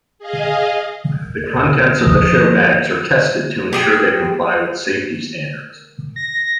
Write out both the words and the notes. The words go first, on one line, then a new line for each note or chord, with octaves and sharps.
The contents of the showbags are tested to ensure they comply with safety standards.
G#4 D#5 F5
F3 D#5
G4 G#4 G5
A#6